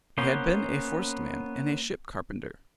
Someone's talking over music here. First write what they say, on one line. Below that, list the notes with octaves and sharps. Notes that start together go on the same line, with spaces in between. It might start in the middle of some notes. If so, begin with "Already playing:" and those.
He had been a forced man, and a ship carpenter.
A#3 B3 C#4 F#4 C5